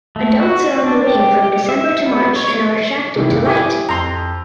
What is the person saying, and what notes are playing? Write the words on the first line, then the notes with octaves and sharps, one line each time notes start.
Adults are on the wing from December to March and are attracted to light.
A3
F#4
D4
G4
E5
B3
C#5
C3 D#3 E3
G1
E4 G4 G5 G#5 D6 D#6
F2 A#5 C6